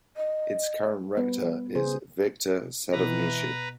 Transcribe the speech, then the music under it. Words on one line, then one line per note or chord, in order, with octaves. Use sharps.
Its current rector is Viktor Sadovnichiy.
D#5
G3 B3 B4
C#3 G#4 C5
B2 E3 B4 A#5